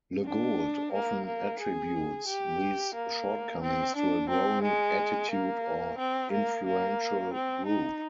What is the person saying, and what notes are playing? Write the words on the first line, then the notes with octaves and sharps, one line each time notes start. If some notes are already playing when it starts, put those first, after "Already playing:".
LeGault often attributes these shortcomings to a growing attitude or influential group.
D4
A#3
A#3
G#4
G4
A#3
C4
D4
C4
G#3
A#3
C4
A#3
A#3
C4
D#4